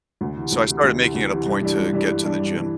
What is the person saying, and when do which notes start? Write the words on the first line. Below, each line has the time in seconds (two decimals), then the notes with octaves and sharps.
So I started making it a point to get to the gym.
0.21 D2
0.36 C3 E3
0.52 D2
0.67 C3 E3
0.84 D2
0.99 C3 E3
1.15 D2
1.30 C3 E3
1.46 G2
1.61 E3 G3 D4
1.77 G2
1.93 E3 G3 D4
2.08 G2
2.24 E3 G3 D4
2.40 G2
2.56 E3 G3 D4